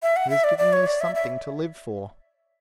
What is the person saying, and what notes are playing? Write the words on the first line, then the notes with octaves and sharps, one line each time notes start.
He has given me something to live for.
E5
F#5
E5
D5
D5
C#5
D5
E5
E5